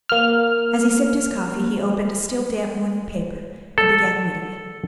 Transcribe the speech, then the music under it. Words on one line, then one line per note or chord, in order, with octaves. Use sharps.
As he sipped his coffee, he opened a still damp morning paper, and began reading it.
A#3 F6
A4